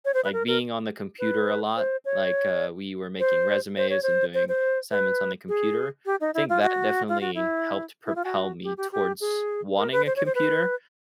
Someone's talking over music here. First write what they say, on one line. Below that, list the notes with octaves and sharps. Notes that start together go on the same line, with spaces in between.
like, being on the computer a lot, like, uh, we were making resumes and doing assignments on the computer, think that definitely helped propel me towards wanting a computer
C#5
C5
B4
A#4
A#4
B4
C5
C#5
C5
C5
C#5
C5
C5
C5
B4
G#4
G4
D#4
E4
F4
F#4
F4
F#4
E4
E4
F4
F#4
G4
G4
G4
G#4
A#4
B4
C5
C#5
C5
B4